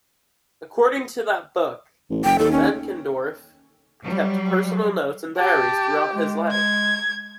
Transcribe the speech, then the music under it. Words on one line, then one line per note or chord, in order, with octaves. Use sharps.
According to that book, Benckendorff kept personal notes and diaries throughout his life.
A1
F#1 G5
D#2 A4
C#4
F#3 G3
G4 A5
G#3
G#6